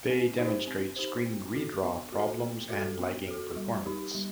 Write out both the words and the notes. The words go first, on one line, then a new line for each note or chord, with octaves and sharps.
They demonstrate screen redraw problems and lagging performance.
C4
D#4 G4 C5
C4
D#4 G4 C5
B3
F#4 A4
B3
F#4 A4
B3
F#4 A4
B3
F#4 A4
G3
D#4 G4
G3